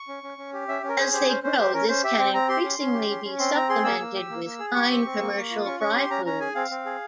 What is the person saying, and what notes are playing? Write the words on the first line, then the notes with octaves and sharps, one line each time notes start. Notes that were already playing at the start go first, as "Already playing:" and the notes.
As they grow, this can increasingly be supplemented with fine commercial fry foods.
Already playing: C#6
C#4
C#4
C#4
G4
C#4 E5
C#4
A#4
G#4 C5
G4 C5
C#4 C5
C#4 C5
G4 C5
C#4 A#4
C#4 C5
G4 E5
C4 G5
C4 A#5
G4 C6
C#4
C#4
G4
C#4
C#4
C4 C6
C4 A#5
G#4 C6
A#3 E6
A#3
G4
A#3
A#3
G#4
G4 C#6
C4
C4
A#3
A#3
F4
C#4 C#6
C#4 C#6
G4 C6
C#4 A#5
C#4 A#5
G#4 G#5
C4 F5
C4
G#4